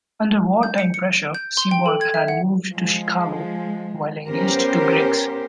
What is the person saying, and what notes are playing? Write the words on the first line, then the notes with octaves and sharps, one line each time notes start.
Under wartime pressure, Seaborg had moved to Chicago while engaged to Griggs.
G6
C#7
C#7
D7
G6
C6
G5
A4
G#6
E5
F#5
F3 G#3
B3 C#4 G4 A#4 C5